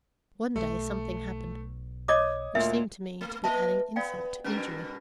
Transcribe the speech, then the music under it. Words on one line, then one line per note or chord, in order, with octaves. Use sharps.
One day something happened which seemed to me to be adding insult to injury.
B1 A3
C#5 D#5 D6 D#6 G#6
D2 A#2 E5
A3
A#3 D#5 E5 A5
B3 D5 F5 G5
G2 B2 C#4 A#4